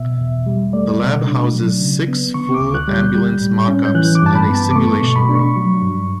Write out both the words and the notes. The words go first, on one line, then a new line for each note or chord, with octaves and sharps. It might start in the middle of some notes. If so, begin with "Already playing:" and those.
The lab houses six full ambulance mockups and a simulation room.
Already playing: B2 E5
E2
G3
A3 D5
B2
D4
F#3
C#3
B3
D3 C#6
D6
D2
F#6
G3
G6
G3
A2
C#4
G6
E3 F#6
D6
G2 A5
B5
B3
A5
D6
A3 C#6
C#6
B2
B5
D4
C#6
F#3
G2